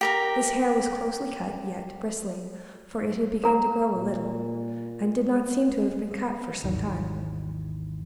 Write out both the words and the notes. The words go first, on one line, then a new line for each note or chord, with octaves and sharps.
His hair was closely cut, yet bristling, for it had begun to grow a little, and did not seem to have been cut for some time.
G4 A#4 A#5
A#4 A#5
A#2
G#1 D#2 D#3 E3